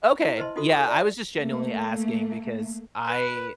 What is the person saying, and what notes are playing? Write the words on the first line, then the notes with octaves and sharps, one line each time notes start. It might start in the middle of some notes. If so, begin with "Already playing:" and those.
Okay. Yeah. I was just genuinely asking because I
E4 E5
B4 C5 D#5 A5 C6
D#4 F4 F#4 A4 C6 D#6
A4 D#6
D5 E5
A3 A#3
B4